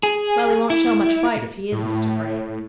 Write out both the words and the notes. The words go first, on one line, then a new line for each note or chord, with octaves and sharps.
"Well, he won't show much fight if he is Mr. Vrain."
G#4
E4
A2